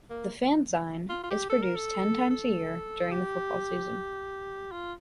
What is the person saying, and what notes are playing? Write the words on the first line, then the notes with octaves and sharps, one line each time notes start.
The fanzine is produced ten times a year during the football season.
A#3
F4
F4
G4
A4
A#4
A4
A4
G4
F4